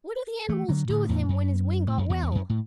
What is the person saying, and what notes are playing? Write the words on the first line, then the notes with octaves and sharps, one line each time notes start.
"What did the animals do with him when his wing got well?"
E3 A3
D3 F#3
A2 D3
E2 A2
F#2
A2
F#2
E2
E2
F#2
A2